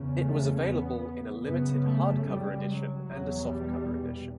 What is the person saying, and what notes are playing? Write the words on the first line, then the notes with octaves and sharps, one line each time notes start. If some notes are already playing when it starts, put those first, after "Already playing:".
It was available in a limited hardcover edition and a softcover edition.
Already playing: E2 C#3
A3
B3
F#2 C#3 B3
A3
G3
F#3
E2 B2 F#3
G3